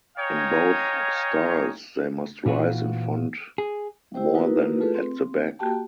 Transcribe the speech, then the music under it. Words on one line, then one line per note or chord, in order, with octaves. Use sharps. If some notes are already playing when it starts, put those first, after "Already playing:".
In both styles, they must rise in front more than at the back.
C#5 D#5 F5 G5 G#5 A#5
A#2 E3 F4 F#4
G#4
E4 G4 C5 G5
A#3 D#4 E4 F#4 A#4 B4
A3 F4 G#4 A4 B4
C4
A#3 F#4 G4 G5 A5